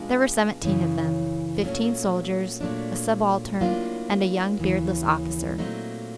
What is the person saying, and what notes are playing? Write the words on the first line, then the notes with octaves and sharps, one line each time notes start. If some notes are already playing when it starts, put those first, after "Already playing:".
There were seventeen of them, fifteen soldiers, a subaltern and a young beardless officer.
Already playing: B2 G#3 B3 D4 F4
F#2 C#3 E3
A#2 F#3 A3 C#4
A#2 F#3 A3 D4
A2 F#3 A#3 D4 F4
D#2 C#3 E3
A#2 F#3 A3 C4 D#4